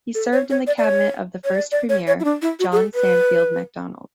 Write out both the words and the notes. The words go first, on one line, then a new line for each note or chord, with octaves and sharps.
He served in the cabinet of the first Premier, John Sandfield Macdonald.
A4
C#5
C#5
D5
D5
C#5
C#5
D5
D5
C#5
C#5
E4
D4
E4
F#4
G#4
A4
B4